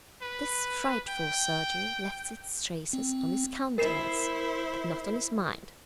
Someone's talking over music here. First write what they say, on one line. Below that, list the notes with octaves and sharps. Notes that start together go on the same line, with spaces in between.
This frightful surgery left its traces on his countenance, but not on his mind.
B4
G5
C4
E4 A#4 C5 C7 E7